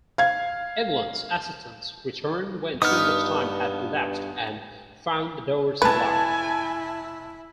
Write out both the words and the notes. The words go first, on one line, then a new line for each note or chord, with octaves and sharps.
Eglon's assistants returned when too much time had elapsed and found the doors locked.
F5 G#6
G2 B3 D#4 D#6 F6
F1 E4 B4 G#5 A5